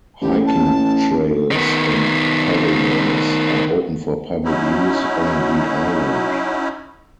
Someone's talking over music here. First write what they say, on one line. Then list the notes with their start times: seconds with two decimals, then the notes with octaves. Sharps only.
Hiking trails and pavilions are open for public use on the island.
0.21 A1 G4
0.46 A5
1.52 D#3 B3
4.45 F#3 C#4 D#4 E4